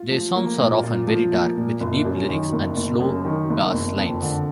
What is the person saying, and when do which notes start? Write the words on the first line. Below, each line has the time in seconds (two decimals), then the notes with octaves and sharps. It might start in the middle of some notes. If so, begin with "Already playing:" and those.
Their songs are often very dark, with deep lyrics and slow bass lines.
Already playing: F4
0.11 F3
0.36 A#3
0.59 A#2
0.83 F4
1.07 F3
1.33 A#3
1.57 A#2
1.80 F#1
2.05 F#2
2.29 D#3
2.53 F#1
2.77 F#1
3.00 F#2
3.25 D#3
3.50 F#1
3.73 F#1
3.98 F2
4.22 D3